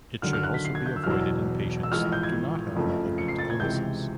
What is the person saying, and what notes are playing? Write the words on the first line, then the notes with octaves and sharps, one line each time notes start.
It should also be avoided in patients that do not have malignant illnesses.
D#2 D3 F#3 F6
F6
F#6
B6
C7
G#6
G6
E6
F6
E1 E2 B2 F#3 E6
E6
A1 A2 F3 G#3 F6
G6
G#6
F#1 F2 C#3 F3 A3
C#7
C7
A6
G#6
C#2 C3 E3 G#3 G6